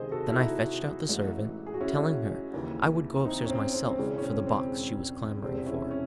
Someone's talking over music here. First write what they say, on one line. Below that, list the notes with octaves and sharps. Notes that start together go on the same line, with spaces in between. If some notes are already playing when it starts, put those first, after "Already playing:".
Then I fetched out the servant, telling her I would go upstairs myself for the box she was clamouring for.
Already playing: C#2 C3 D#3 G#4 C5 D#5
F#4 A4
E4
D#4 F#4
A1 G#2 E3 A3
G#4
F#4
C#4 E4
D#2 C#3 E3
C4 D#4
C#4
C4
C4
C4
E1 E2 C#3 E3 G#3 C#4
C#4
C4
C4
E1 E2 C3 C4
C#4 E4
C#4